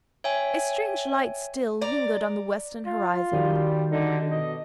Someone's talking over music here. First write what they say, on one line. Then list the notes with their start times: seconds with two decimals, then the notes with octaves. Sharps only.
A strange light still lingered on the western horizon.
0.24 C#5 E5 G5 G#5
1.82 D5 A#5
2.86 F4
3.33 D#3 G3 F#4 D5
3.91 D3 D#4
4.31 B2 D#5